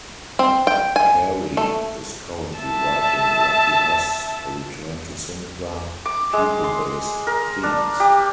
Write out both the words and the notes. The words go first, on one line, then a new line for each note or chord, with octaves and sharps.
Carey is currently writing 'Lucky Us', a return to simpler people-based themes.
C4
G5
G#5
A3
E5 A5
D6
G#3
C6
A#4
D4
G4